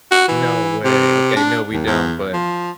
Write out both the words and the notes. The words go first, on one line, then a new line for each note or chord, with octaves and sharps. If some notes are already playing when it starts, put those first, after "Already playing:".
No way. Okay, no, we don't, but
F#4
E3
C3
D4
D#2
E2
F3